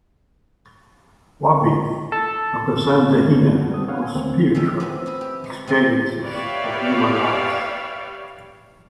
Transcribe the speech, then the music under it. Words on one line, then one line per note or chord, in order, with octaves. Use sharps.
"Wabi" represents the inner, or spiritual, experiences of human lives.
A4
G2 C#3 G#3 A3
F#4
G3 B3 C4 A4 D#6
D4 C#5 F5 F#5
G#5
D#2 D3 A3 A#3 C4
G#3 A3 C#4 G4
B3 C4 D4 G#4
E4 G#4
G4
G#3
C3 E3 C4 G#5 C6
G4 B4 C#5 D5 E5 F5